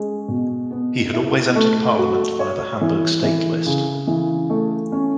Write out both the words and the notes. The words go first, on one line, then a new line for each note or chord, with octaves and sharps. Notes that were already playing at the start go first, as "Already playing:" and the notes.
He had always entered parliament via the Hamburg state list.
Already playing: G#3 C#4
B2
B3
E4
A3
F#4
C#5
E3
E3
C#3
E3
A3
C#4